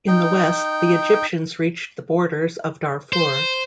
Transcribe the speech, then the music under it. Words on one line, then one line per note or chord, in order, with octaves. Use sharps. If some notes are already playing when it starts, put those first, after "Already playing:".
In the west the Egyptians reached the borders of Darfur.
D#4 G5
C5